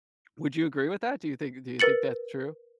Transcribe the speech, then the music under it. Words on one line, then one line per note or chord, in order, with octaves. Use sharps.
Would you agree with that? Do you think do you think that's true?
A#4 B4 A6 C#7 F#7